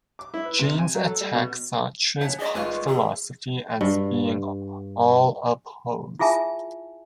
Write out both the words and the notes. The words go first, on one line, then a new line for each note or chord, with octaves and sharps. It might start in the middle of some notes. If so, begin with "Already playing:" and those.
James attacks Sartre's philosophy as being "all a pose".
D6
E4
B4
C3
G#5
F#3
A4
G3
B2
C#5 F#5 G#5 A5 B6
G#4 D5 D#5
G#1 G3 G#3 F4 G#4 B4 C#6
G#4 E6
G2
E4 F4 G#4 E5 G#5 A5